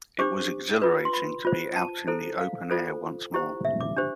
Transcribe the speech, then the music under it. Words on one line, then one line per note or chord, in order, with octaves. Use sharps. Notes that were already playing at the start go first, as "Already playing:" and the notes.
It was exhilarating to be out in the open air once more.
D4 G4 C5 D6
F4 B4
C6
B5
F4 C5
A5
E4 A4 C5
F5
F4 A4 C5
E4 G4 C5
E5
D6
D4 G4 C5